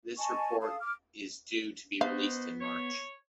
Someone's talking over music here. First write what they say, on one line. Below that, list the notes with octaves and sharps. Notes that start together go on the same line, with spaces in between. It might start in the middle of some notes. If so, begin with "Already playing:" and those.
This report is due to be released in March.
D#5 G#5 A5 C#6
A4 F5 A5 D#6
D6 F6
B3 D#4 F#4 C5 F5
C#5